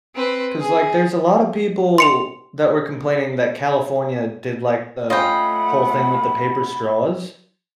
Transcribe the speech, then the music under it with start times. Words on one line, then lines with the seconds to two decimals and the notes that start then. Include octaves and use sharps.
'Cause, like, there's a lotta people that were complaining that California did, like, the whole thing with the paper straws.
0.15 C4 B4
0.59 G#4
1.98 C6 C#7 F7
5.10 A3 C#4 F4 D#5 F#5 G5 B5